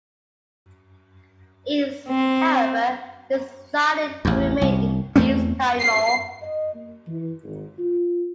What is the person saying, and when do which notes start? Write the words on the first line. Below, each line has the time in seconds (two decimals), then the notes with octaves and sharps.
East, however, decided to remain in East Timor.
2.09 C4
4.25 A1 E2
4.62 C2
5.16 E2 A3 C4 C#4
5.80 C7
6.42 D#5
6.74 A#3
7.08 E3
7.44 G#1
7.79 F4